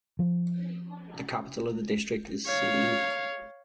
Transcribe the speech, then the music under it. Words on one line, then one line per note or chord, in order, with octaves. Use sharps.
The capital of the district is Same.
F3
C#5 F5